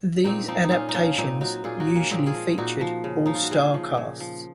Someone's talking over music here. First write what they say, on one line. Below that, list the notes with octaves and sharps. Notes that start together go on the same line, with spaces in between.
These adaptations usually featured all-star casts.
A#2 C4 D#4
F3 C4 D#4
D#4
A#2 C#4 F4
D#4
F3 C#4 F4
A#2 C4 D#4
F#3 D#4 F#4
A#2 F4 G#4
D#4 F#4
F#3
A#3 C#4
A#2 G#3 C4
F4 G#4
F3
A#2 D#4 F#4
F3
C#3
F3 D#4
F4
F#4
C#3 F4 G#4
F3
A#2
F3